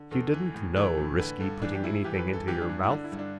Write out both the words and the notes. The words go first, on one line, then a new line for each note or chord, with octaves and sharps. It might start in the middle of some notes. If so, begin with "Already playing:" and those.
If you didn't know risky putting anything into your mouth.
Already playing: D3
E2 A4
E3
A2
E3 A4
A2
D3 B4
G2 A4
E3 D4
G4
G2 E4
E3 G4
A4
B4
G2
A4
E3 G4
D4
G2
E4
D3 D4
E4
G2
D4